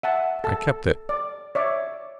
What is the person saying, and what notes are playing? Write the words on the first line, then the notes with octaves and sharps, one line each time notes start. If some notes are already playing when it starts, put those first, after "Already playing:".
"I kept it."
E5 F#5 A5
A4 A5
D5
C#5 D5 E5